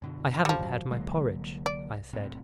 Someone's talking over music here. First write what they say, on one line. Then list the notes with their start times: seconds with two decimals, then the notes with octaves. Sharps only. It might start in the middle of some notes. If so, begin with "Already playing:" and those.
"I haven't had my porridge," I said.
0.02 F#2 B2 D3
0.45 E1 A1 D#3 F3 G3
0.59 F#2 F#3
0.91 C2 D3 F#3 G#3 A#3
1.66 D5
2.13 B1 A2 C3